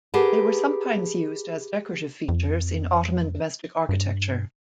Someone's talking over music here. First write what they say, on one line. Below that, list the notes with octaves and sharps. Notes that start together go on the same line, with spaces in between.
They were sometimes used as decorative features in Ottoman domestic architecture.
G4 G#4 A#4 B4 F#5 A5
F2
G2